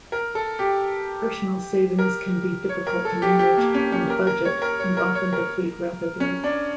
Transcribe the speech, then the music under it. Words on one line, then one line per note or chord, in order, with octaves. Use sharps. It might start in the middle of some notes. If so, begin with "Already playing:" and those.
Personal savings can be difficult to manage and budget and often deplete rapidly.
A#4
A4
G4
A#4
C#5
A#4
A4
G4
G4
A#3
C#4
C#4
A#4
A#4
C#5
A#4
C#5
A#4
C#5
A#4
C#4
D4